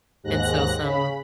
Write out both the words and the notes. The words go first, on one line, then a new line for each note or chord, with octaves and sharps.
And so some
D#2 G#2 F#6 A#6
C#3 B5